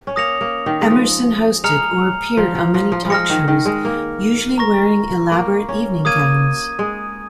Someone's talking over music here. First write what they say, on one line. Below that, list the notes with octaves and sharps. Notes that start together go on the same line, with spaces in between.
Emerson hosted or appeared on many talk shows, usually wearing elaborate evening gowns.
C#4
A#3 D#6 A#6 C#7 F7
A#3
D#3
G#3
F3
G#3 A#5 F6 C#7 F7
F3
F3
F3
F3
F3
G#3 F6 A#6 C#7
D#3
D#3
G#3
A#3
A#5 C#6 A#6
A#3
C#4
A#3 D#6 G#6 D#7
G#3